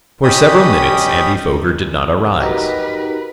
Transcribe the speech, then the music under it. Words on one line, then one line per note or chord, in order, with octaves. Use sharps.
For several minutes Andy Foger did not arise.
C#4 G4 D#5 B5 D#6 G6
D#4 F#4 G4 A#4 B4